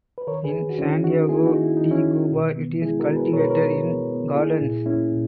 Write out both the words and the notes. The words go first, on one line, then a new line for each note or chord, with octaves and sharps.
In Santiago de Cuba it is cultivated in gardens.
B4
D#3 A#4 C#5
G#4 B4
D#3
F#4
D#3 C#4 E4
D#3 D#4 F#4
A#3 E4 G#4
D#4 F#4
D#3
E4
D#3 D#4
C#4 E4
D#3
B2
B3
G#3 E4 G#4
F#4 A#4
B3
G#4 B4
B2 A#4 C#5
B4
A#4 C#5
B2
B3
B3
A#3 E4 G#4
A#2
A#3 C#4 E4
A#2